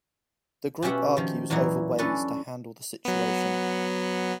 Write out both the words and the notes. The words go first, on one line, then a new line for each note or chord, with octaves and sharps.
The group argues over ways to handle the situation.
B2 C#4 F4 G4 E5 F#5
D#3 F3
E2 A#2 E3 F#3 D#4 E4
C#4 D4 A4 B4
F#3 B3